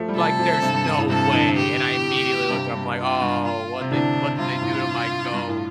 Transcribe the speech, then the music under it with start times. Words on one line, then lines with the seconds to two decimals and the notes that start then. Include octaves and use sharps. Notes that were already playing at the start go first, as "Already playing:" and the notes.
Like, there's no way, and I immediately looked at him, I'm like, "Oh, what'd they what did they do to my goat?"
Already playing: F3 A3
0.08 G3
0.15 C3 F3 A4
0.39 C3 F3
0.62 G2 C3
0.74 G2 C3
0.85 G2
0.98 A2
1.09 G2 C3 A4
1.33 A2 D3
1.56 G4
2.50 G2 C3
2.73 G2
2.97 F4
3.21 G2
3.44 F4
3.81 C3
3.91 A2 D3 D4
4.38 G2 C3 F4
4.61 A2
5.33 G2
5.47 A2